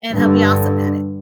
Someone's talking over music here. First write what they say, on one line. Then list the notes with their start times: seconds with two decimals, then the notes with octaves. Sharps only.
and he'll be awesome at it.
0.12 G2 D3